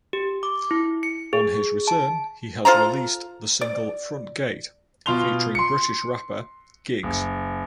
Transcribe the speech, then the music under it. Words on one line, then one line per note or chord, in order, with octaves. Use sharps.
On his return he has released the single "Front Gate" featuring British rapper Giggs.
G4
D6
E4
C#7
G#4
A5
F4 A4 C5 A#5
D5
B2 F4 C6 F7 G7
C6 C#7
F#1